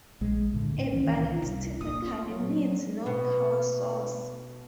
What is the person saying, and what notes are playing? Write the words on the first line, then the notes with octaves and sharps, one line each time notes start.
A balise typically needs no power source.
A#1 G#3
A2 D3
A2 A#3
C2 D#3 E3 C#4
C2
A#2 D#6
F4
F#3
B2 B3